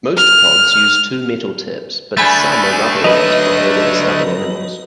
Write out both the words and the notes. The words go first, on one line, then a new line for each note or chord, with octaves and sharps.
Most prods use two metal tips, but some are rubberized for herding stubborn animals.
F6
A3 D4 G#5 B5 A6
F#3 B4 D#5